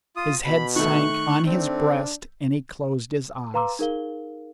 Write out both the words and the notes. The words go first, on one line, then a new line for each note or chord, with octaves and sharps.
His head sank on his breast and he closed his eyes.
F4 D#6
B2 B5
D#3 A3 C#6 F#6
C4 D4
B4 F5 A#5 C6 D6 E6
D#4 G#4 A#4 F5 G7